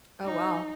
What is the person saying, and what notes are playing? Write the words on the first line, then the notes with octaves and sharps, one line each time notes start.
Oh wow.
D#4